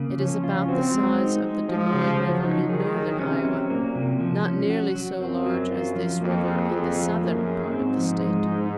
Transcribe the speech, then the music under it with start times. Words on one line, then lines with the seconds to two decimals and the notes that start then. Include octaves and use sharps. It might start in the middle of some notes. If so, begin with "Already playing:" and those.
It is about the size of the Des Moines river in northern Iowa, not nearly so large as this river in the southern part of the state.
Already playing: C#3 A#3
0.18 F3 C#4
0.44 F4
0.68 C4 F#4
0.94 G#3
1.19 D#4
1.44 G#3
1.69 F3 G#3
1.94 C#3
2.19 F3 F#3
2.44 D#4
2.69 D#3 G#4
2.94 F#3
3.20 C3 C#4
3.45 F#3
3.70 A#2 A#3
3.95 C3
4.20 F3
4.45 C#4
4.70 F#4
4.95 F#3
5.20 F#2 C4
5.46 F#3
5.71 F4
5.95 F3
6.21 F2 A#3
6.46 G#4
6.71 F2 F4
6.96 F3
7.21 F#2 A#3
7.47 G#4
7.72 G#2 C4
7.97 F3
8.21 G#3
8.47 D#4